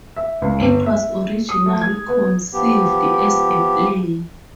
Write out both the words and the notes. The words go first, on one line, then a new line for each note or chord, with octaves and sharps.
It was originally conceived as a play.
E5
C#2
G1
E5
D#6
A3
G#6
B3
F3 B3 G4